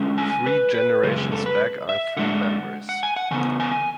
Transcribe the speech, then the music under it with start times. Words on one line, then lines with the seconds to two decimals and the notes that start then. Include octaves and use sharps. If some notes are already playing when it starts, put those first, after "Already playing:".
Three generations back are three members.
Already playing: D3 G#3 C#4
0.18 G#5
0.46 B4
0.74 B4
1.03 F#2 C#3 G#3 G#4
1.17 G#4
1.32 A4
1.46 B4
1.89 E5
2.17 D3 G#3 D4 F#5
2.89 F#5
3.03 G#5
3.16 F#5
3.31 E2 C#3 B3 G#5
3.60 G#5